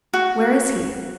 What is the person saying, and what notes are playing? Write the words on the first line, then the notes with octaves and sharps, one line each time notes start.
"Where is he?"
F#4